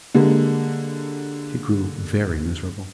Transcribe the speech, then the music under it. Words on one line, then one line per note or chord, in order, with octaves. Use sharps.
She grew very miserable.
D3 G3 G#3 A#3